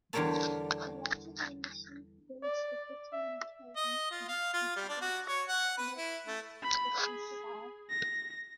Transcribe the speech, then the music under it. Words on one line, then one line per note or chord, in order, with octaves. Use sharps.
The larger the initial dose of vitamin K-antagonist, the more pronounced these differences are.
E2 D3 G3 A#4 C#5 A5
D5
E5
D#5
F4
F5
F4
G3
D4
F#4
C#5
F#5
B4
E4
A3
B5
G#4
A#6